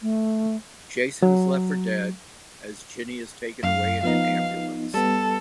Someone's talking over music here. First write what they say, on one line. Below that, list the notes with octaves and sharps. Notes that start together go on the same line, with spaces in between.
Jason is left for dead as Ginny is taken away in an ambulance.
A3
F#3
F#2 F5
F3 B3 D#4 F5
G3 B3 A4